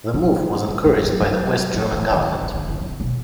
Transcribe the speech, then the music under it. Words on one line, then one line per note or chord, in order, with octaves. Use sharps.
The move was encouraged by the West German government.
F#3
G3
G3
F#3
F#3
F3
E3
D#3
D3
D3
D3
C#3
C3
B2